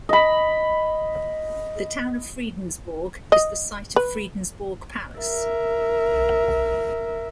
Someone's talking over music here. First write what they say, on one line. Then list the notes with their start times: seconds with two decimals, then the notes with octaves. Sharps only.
The town of Fredensborg is the site of Fredensborg Palace.
0.09 D#5 B5
3.32 D#5
3.96 B4
5.20 A#4 E5